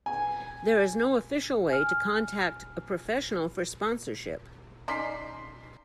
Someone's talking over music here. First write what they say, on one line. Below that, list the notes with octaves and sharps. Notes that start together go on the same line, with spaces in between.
There is no official way to contact a professional for sponsorship.
G#5
G#5 F6
C#4 D#4 D5 C6 B6 C7